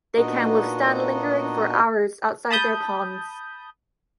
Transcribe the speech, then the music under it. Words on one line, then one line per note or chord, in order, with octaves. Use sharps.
They can withstand lingering for hours outside their ponds.
A#2 B3 D4 D#4 F#4 D#5
A5 B5 D#6 G6